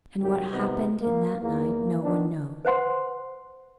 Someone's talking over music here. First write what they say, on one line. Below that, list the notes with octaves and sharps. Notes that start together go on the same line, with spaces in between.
And what happened in that night no one knows.
G#1 C#2 F#2 G4
G#1 C3 B3 D#4 B4
A#3
E2 A#3
D#3 B3 D4
B4 C5 F#5 C6